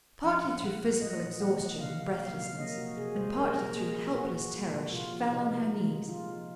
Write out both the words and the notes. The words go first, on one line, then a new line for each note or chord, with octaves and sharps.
Partly through physical exhaustion and breathlessness, and partly through helpless terror, she fell on her knees.
F3 F#5
A#2
A#2 F#5
A#3
A#2 D#5
A#2
F3 F#5
A#2
C3 F5
C3 F5
F#3 F5
C3 F5
A#3 D#5
C3 F#4
C3 G#4
C3 C5
A#2 A#4
A#2
A#3 G#4
F3
A#2 F#4
A#3
A#2
A#2
C3 F4
F3
C3 D#4
C3
F3
G#3
G#3 F4
F3